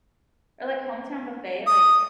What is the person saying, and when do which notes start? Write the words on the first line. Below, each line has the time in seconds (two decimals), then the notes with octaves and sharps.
Or, like, Hometown Buffet, like
1.67 D#6